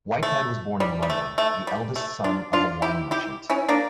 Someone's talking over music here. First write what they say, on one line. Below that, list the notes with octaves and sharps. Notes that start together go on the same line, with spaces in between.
Whitehead was born in London, the eldest son of a wine merchant.
A3
G3
G3
A3
A3
G3
A3
D4 F4
D4 F4
E4 G4
E4 G4
C#4 E4
A#3 D4